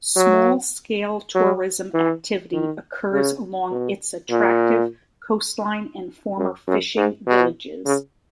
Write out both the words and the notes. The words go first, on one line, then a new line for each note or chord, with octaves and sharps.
Small scale tourism activity occurs along its attractive coastline and former fishing villages.
F#3
F#3
E3
D#3
C#3
B2
A#2
F#2
F#2
G#2
B2
C#3